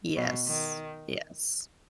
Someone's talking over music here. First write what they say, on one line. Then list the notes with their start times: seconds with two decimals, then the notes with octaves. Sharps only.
Yes. Yes.
0.17 B2
0.47 D#3